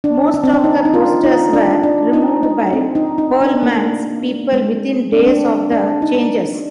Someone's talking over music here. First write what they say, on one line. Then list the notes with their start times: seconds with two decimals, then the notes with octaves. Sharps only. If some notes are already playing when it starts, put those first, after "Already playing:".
Most of the posters were removed by Pearlman's people within days of the changes.
0.04 D4
0.34 D4
0.44 C4
0.54 D4
0.64 D#4
0.85 D#4
0.94 F4
1.24 D#4
1.53 D4
1.83 D4
2.13 D#4
2.43 D#4
2.73 C4
2.95 D#4
3.18 D#4
3.41 D4
3.63 A#3
4.52 G#3
5.12 D4
5.19 C4
5.26 D4
5.72 D4
6.02 D#4